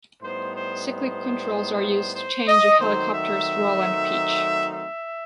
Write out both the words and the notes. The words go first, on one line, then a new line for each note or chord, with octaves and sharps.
Cyclic controls are used to change a helicopter's roll and pitch.
A2 G3 B3 D#4 C5
C5
C5
C5
D#5
D#3 F#3 A3 C4 D#4 C5
E5
E5